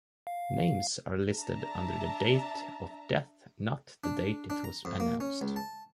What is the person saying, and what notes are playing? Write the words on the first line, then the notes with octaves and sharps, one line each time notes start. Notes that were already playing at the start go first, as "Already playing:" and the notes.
Names are listed under the date of death, not the date it was announced.
F5
D4 E5 A5 A#5
D4
D4
A#5
F2
A#3
C#4
C#2
A5